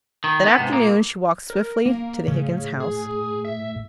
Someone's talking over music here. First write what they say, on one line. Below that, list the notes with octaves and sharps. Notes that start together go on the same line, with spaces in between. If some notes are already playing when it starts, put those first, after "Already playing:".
That afternoon she walked swiftly to the Higgins's house.
D#3
B3
G#2 C3
A#2 A#3
A#4
A#3
A2 C#3
G#4
E5